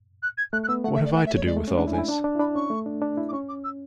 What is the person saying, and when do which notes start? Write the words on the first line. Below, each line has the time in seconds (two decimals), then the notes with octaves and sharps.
What have I to do with all this?
0.22 F#6
0.38 G#6
0.53 A3 F#6
0.63 F#6
0.68 B3 E6
0.84 A3 F#5
0.95 E5
1.05 D5
1.15 F#5
1.26 E5
1.36 C#5
1.46 G#3 D5
1.57 A3
1.68 C#4
1.77 D4 F#5
1.87 E4
1.92 G#5
1.98 E4
2.08 D4 A5
2.24 D4
2.35 E4
2.39 D4 B5
2.55 C#4 C#6
2.70 A3
2.86 D4
3.02 D4
3.17 E4
3.29 D6
3.33 C#4 C#6
3.49 D6
3.64 E6